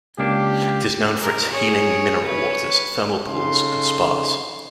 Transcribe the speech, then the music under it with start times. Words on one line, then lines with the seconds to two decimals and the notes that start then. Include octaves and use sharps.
It is known for its healing mineral waters, thermal pools and spas.
0.19 C#2 A#3 D4 G4
1.19 G#3 A#4
1.51 G#4 C#5
2.26 B4 C#5
3.27 C#3 D#4 A4 C6